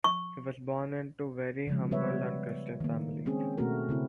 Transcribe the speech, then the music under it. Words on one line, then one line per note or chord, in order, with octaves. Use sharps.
He was born into very humble and Christian family.
C#6
C#3 F3 G#3
G3 B3 B4 C#5 E5
D#3 A#3
G#3 C4 C#4 G#4
B2 A3 A#3 C4 F#4 A#4
C#3 C4 E4